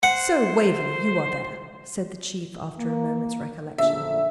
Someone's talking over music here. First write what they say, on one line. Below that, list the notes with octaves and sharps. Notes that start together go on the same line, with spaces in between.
'So, Waverley, you are there,' said the Chief, after a moment's recollection.
C5 F#5
A#3
A#1 F#2 D3 E5